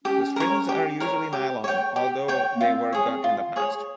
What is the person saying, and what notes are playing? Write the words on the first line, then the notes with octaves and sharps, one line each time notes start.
The strings are usually nylon, although they were gut in the past.
C#4 G4
A#4 C#5
G4
A#4 C#5
G4
C#5 G5
G4
C#5 G5
A#3
C4 F4
G#4 C#5
F4
G#4 C#5